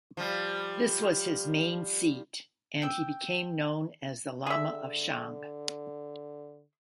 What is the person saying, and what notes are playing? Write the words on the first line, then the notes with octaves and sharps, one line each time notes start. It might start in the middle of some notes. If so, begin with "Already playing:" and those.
This was his main seat, and he became known as the Lama of Shang.
F3 G3
G5 E6
D3 G#4 E5